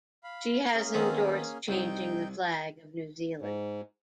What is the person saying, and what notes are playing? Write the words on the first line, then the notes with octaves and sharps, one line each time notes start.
She has endorsed changing the Flag of New Zealand.
F5 B5
A#3 C#4 G#4
D#3 B3 C4
C2 D#4 G5
G#2